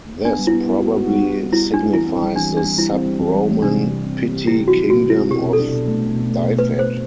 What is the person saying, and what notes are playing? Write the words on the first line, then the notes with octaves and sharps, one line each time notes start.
This probably signifies the sub-Roman petty kingdom of Dyfed.
B3 D4
G3
E4
B3
B3
F#4
F#4
G3
G3
F#4
G3 E4
F#4
D4
G3
E3 E4
C4
G3
E3 D4
E3
D4
G3
G3 E4
C4
G3
E3
G3
E3
C3 D4
C3
G4
C4
C4
G4
C3 E4
C4
F#4
F#3
F#4 G4
C3
E4
C4
B2 G4
B2
A4
D4
B2
A3
A3
B2
A3
B2
A3 B4
A3
C5
A3